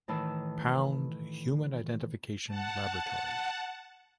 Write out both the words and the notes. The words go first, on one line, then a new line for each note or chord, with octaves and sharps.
Pound Human Identification Laboratory.
A2 D#3 E3 A5 E6
F#5 A5